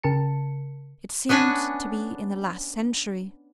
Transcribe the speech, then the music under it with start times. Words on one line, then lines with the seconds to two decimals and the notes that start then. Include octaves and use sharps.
It seemed to be in the last century.
0.03 C#3 A#4 A5 C#7
1.29 B3 C#4 D4 B4 G#5